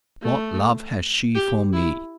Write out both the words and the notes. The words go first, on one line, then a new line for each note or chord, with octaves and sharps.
What love has she for me?
A3
G4
E4